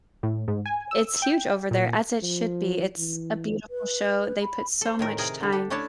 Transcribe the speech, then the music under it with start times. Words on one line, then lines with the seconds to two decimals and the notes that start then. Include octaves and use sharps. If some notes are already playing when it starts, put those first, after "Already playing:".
it's huge over there as it should be, it's a beautiful show, they put so much time
0.23 A2
0.48 G#2
0.66 G#5
0.91 E6
1.22 G5
1.71 A#2
2.22 F3
2.98 E3
3.70 B4
4.41 B5
4.81 A4 C5
4.99 A2 D#3 A#4
5.18 C3 G#4 A#4
5.41 D3 G3
5.52 D4 G4 A4
5.70 A3 C#4 D4 E4 C#5 A5